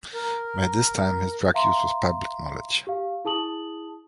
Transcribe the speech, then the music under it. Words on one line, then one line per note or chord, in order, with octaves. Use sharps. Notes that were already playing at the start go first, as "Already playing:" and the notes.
By this time, his drug use was public knowledge.
A#4
E5 F5 A#5 C6
G4 F5
E4 G#4 A5 D#6 F#7